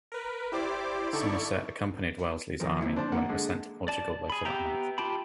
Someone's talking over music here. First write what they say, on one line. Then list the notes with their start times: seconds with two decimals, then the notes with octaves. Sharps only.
Somerset accompanied Wellesley's Army when it was sent to Portugal later that month.
0.12 A#4 B4
0.52 E4 G4 C5 D5 D6
1.13 D3 D#4 E4 A4 D5 C#6
2.60 D#3 F3 A#4
2.81 D3 A#3 C4 E4
2.96 D4 C5 A5
3.12 A#3 F#5
3.29 D3 G#3
3.88 D5 A5
4.30 G#4 B5
4.45 B3 G4 E5 G5 A#5
4.98 F4 G4 G5 A5 B5